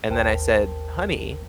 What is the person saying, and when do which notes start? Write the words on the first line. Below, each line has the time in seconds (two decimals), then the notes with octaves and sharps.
and then I said, "Honey,
0.09 A1 D#2 A#4 C5 G5 A5